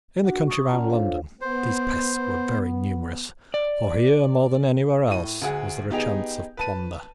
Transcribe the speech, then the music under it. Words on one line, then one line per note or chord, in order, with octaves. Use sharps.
In the country round London these pests were very numerous, for here, more than anywhere else, was there a chance of plunder.
D4 F#4 F#5
C#6 D#6
C#4 F4 D5 F#5 A5 A#5
D4 F4 A4 C5 C#5 F5
B3 C5
D5
A2 D#7
D2 G#4 F#5
B3 D#4 G4 G#4 G5 F7
B4 A5 D#7